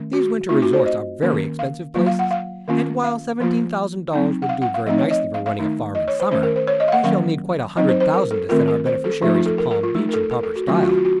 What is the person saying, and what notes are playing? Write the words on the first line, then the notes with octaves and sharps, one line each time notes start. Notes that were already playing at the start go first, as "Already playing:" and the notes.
"These winter resorts are very expensive places, and while seventeen thousand dollars would do very nicely for running a farm in summer, we shall need quite a hundred thousand to send our beneficiaries to Palm Beach in proper style."
Already playing: D#3 A3 C#4
F#4
A3 C4 D#4 F4
F#4
C5
D#5
D#3 A#3 C#4
F5
F#3 A#3 F4
F5
F#5
F5
D#3 A#3 C#4 F4
F5
F3 A#3 F4
F#3 C4 D#4
F#5
F5
F#5
F5
F3 A3 C4 D#4 D#5
C#5
D#5
F5
F5
D#3 A3 D#4
D#5
C#5
C5
D#3 A3 C#4 C5
A#4
C5
C#5
D#5
F5
F#5
D#3 F#3 A#3 C#4 F5
F#3 C4 D#4 D#5
C5
C5
A#4
A4
D#3 A3 C4 F4 A#4
A#4
C5
A4
F3 A3 D#4 F4
F4
A4
A#4
A#4
F4
A3 D#4
A#4
A4
A#4
A4
F#4
D#3 F#3 A3 C#4 F4
F#4
F4
F#4
F4
F#4